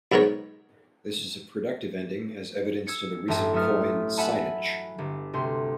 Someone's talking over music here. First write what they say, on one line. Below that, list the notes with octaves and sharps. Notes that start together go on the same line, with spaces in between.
This is a productive ending, as evidenced in the recent coin, "signage".
B1 G#2 B3 A#4 C#5
E6 G#6 C#7
A1 G2 E5 A5 B6
F#3 A3 E5 D#6 F6 A6
E5 F#5 G#5 A5 B5
G1
D2 C3 C6